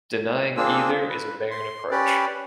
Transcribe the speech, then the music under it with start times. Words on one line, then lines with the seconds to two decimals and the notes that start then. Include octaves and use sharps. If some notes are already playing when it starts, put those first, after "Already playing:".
Denying either is a barren approach.
0.57 A#3 C4 D4 F4 G#4 E6
1.09 B4
1.51 C6
1.91 C#4 G4 B4 D5